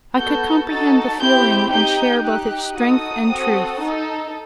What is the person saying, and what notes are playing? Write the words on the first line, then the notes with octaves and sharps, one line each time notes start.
I could comprehend the feeling, and share both its strength and truth.
B3 F#4 A4 G6
D#4 F#4 A4 A6
C4 E4 G4 G6
D#4 G4 G6
D#4 G4 F#6
D#4 F#4 A4 D#6
C4 F#4 A4
D#4 A4